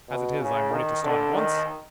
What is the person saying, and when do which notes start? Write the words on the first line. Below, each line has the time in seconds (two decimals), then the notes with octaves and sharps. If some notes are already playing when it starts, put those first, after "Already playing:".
As it is, I am ready to start at once.
0.08 B2
0.40 C#3
0.71 D#3
1.04 D3
1.35 D#3